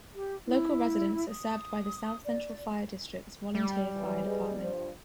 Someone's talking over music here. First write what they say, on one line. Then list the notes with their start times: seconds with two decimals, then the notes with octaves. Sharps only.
Local residents are served by the South Central Fire District's volunteer fire department.
0.15 G4
0.48 E4
1.29 D#6
2.24 D5
3.55 G3
3.95 E3
4.25 G#4 B4 D#5
4.60 G2 F3 C5